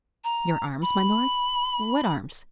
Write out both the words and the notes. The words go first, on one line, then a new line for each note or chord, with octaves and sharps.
"Your arms, my lord--what arms?"
A#5
B5